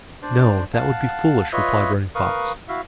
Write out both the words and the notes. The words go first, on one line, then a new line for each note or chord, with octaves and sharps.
"No, that would be foolish," replied Running Fox.
D4 C5 D5
F5 F#5 A5
F4 B4 C#5 D#5 E5
A#4 B4 F5 C#6 D#6
E4 F#4 E5 F5